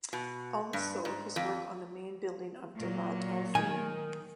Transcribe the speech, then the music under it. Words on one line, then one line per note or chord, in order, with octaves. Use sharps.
Also his work on the main building of Darat Al Funun.
B2
G2
G#2
F2
A#2 F#3
D#3 G#5